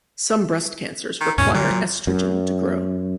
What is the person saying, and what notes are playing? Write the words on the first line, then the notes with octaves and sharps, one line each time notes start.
Some breast cancers require estrogen to grow.
D#3
E2 G#2 B2 C#4
A#2 D3 G3
F#3
F#2